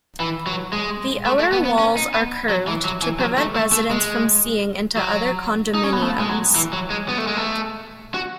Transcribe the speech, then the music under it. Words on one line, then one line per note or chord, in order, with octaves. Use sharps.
The outer walls are curved to prevent residents from seeing into other condominiums.
E3
F#3
G#3
A3
A3
B3
B3
C#4
D#4
B3
F#3
E3
F#3
E3
F#3
A3
A3
A3
G#3
F#3
D#4
C#4
B3
A3
G#3
F#3
E3
F#3
G#3
B3
A3
G#3
A3
F#4